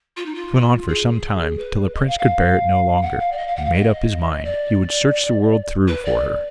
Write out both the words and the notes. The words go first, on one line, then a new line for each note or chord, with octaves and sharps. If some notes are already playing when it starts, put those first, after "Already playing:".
This went on for some time, till the prince could bear it no longer, and made up his mind he would search the world through for her.
F4
D#4
F4
G#4
B4
D#5
F5
F5
F#5
F5
D5
D#5
F5
F#5
F5
D#5
D5
B4
D5